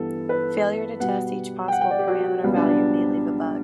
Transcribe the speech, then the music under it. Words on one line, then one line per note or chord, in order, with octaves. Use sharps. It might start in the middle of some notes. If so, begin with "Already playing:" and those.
Failure to test each possible parameter value may leave a bug.
Already playing: G2 E3 B3 A4
B4
B2 G3 B3 F#5
G5
F#5
G5
D5
G4
F#4
C#2 B2 G3 B3
D4
D4